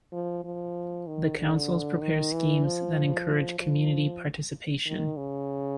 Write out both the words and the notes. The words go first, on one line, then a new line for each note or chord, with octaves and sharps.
The councils prepare schemes that encourage community participation.
F3
F3
D#3
D3
D#3
E3
F3
F3
D#3
C#3